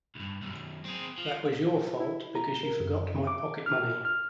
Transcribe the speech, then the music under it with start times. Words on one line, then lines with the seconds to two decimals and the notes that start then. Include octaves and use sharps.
That was your fault, because you forgot my pocket-money.
0.15 C#2 G2
0.42 B1 F#2
0.85 C4 G#4
1.18 F3
2.00 E4
2.35 A#5
2.63 A#4
2.80 F#2
3.27 D6
3.66 F6
4.05 F6